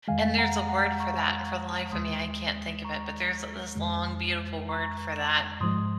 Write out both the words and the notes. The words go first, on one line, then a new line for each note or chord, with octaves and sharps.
and there's a word for that and for the life of me, I can't think of it, but there's this long, beautiful word for that.
F2 D#3 G#3 F5 G#5
F#5 A#5
F#5 A#5
A#5 C#6
D#2 D#3 G#3 C6 D#6
A#5 C#6
F2 D#3 G#3
A#5 C#6
G#2 F3 G#3 C6 D#6